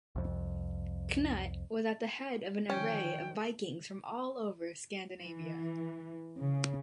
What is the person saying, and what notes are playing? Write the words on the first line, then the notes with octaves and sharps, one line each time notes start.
Cnut was at the head of an array of Vikings from all over Scandinavia.
C2 F2
D3 D#3 F3 C#4 G5
E3
C#3